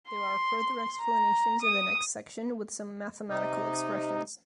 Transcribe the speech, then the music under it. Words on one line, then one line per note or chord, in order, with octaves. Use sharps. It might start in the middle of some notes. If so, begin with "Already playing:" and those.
There are further explanations in the next section with some mathematical expressions.
C6
A#5
D#6
C3 D#4